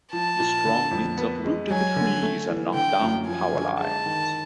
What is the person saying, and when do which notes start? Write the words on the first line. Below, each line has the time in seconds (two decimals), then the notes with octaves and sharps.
The strong winds uprooted trees and knocked down powerlines.
0.13 F3 A5
0.39 A#2
0.65 D3
0.91 F2
1.17 B3
1.44 G#3
1.71 F#3 G#5
1.96 D3
2.22 A3
2.49 E3
2.74 D3 G5
3.01 F#2
3.27 F3 G#5
3.54 D3
3.79 G#3 A5
4.06 D#3